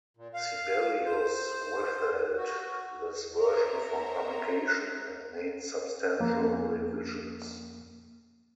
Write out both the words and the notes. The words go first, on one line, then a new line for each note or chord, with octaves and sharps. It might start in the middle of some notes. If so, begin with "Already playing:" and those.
Sibelius withheld this version from publication and made substantial revisions.
A#2
F5
C5
F#4
A#4 C5 C#5 E5 A#5
F2 A#3